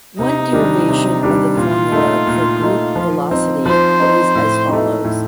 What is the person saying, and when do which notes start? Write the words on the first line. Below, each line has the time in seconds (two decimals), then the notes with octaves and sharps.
One derivation of the formula for group velocity is as follows.
0.19 C3 D#4
0.53 D#3 G3 D4
0.88 C3
1.23 D#3 G3 D4
1.57 A#2 F4
1.92 A3 D#4
2.27 A#2
2.62 A3 D#4
2.96 F3
3.31 C4 D#4
3.66 F3 C5
4.00 C4 D#4
4.35 A2
4.69 A3 D#4
5.04 A2